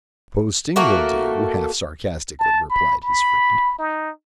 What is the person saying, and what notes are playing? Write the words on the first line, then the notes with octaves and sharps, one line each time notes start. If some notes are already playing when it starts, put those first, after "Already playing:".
"Posting will do," half sarcastically replied his friend.
A3 A#3 F#4 A#4
A5
B5
B5
D#4